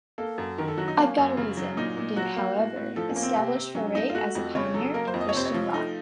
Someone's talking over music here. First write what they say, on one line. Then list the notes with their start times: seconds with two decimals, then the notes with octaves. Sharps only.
"I've Got a Reason" did, however, establish Furay as a pioneer in Christian Rock.
0.18 A#3 A4
0.38 F#2
0.58 D#3 A#4
0.68 A4
0.77 F#3 F#4
0.88 D#4
0.97 A#3 C#4
1.17 F#2
1.37 C#3
1.57 F#3
1.77 A#2 D#4
1.97 A#2
2.16 F#3 F#4
2.36 A#3
2.56 A2
2.76 A2
2.96 F3 A4
3.09 C#4
3.16 A#3
3.23 C4
3.36 C3
3.55 C3
3.75 F#3 C#4
3.87 C#4
3.95 A3 D#4
4.10 F4
4.15 A3 F#4
4.35 F2
4.55 C#3 C#5
4.74 F#3 A4
4.94 A#3 A#4
5.08 C5
5.14 F2
5.21 D#5
5.29 C#5
5.34 C3 C5
5.45 C#5
5.54 F3
5.74 A3 D#4